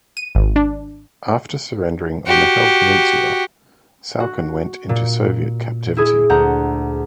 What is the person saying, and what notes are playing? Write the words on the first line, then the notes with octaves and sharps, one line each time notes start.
After surrendering on the Hel Peninsula, Saucken went into Soviet captivity.
D#7
G#1
D4
F#4 G4
F#4
A#2
E4 G#4
D2 F#5 A#5 G6